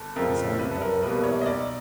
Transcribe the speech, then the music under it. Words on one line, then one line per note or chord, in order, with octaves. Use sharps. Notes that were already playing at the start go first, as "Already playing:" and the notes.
'cause I'm kind of a
Already playing: G1 A4
F2 C#3 F3 A#4
C2 B4
A4
A#4
B2 G3 A#3 B4
C#5
D#5
B1 D5